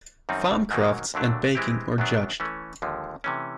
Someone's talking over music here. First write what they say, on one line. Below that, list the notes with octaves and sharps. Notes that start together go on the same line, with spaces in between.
Farm crafts and baking were judged.
F#2 D#3 G3 C4 D#4
G#2 D#3 F#3 A#3
D#2 D3 F#3 A3 D4
E3 G#3 C4 E4 G4
F#2 D#3 F#3 B3 D4
E3 A3 C#4
D#2 D3 F3 G#3
C3 E3 A3 C#4